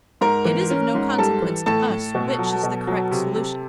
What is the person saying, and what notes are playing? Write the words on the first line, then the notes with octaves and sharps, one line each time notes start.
It is of no consequence to us which is the correct solution.
G#2 A#4 A#5
E3
C#4
G#2
G3 A4 A5
E3
A2 A4 A5
A2
B2
F#3
B2
F#3
C3
C3